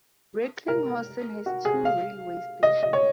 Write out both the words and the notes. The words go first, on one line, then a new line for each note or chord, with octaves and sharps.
Recklinghausen has two railway stations.
A#4
F#4
G#4
F5
D#5
D#5
C#5